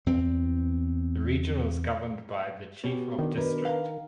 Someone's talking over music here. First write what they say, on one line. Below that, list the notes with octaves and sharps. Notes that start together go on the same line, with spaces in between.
The region was governed by the Chief of District.
E2 C4
B2 C#4 G4
D#3 D4
D4 A#4 B4
F5 A#5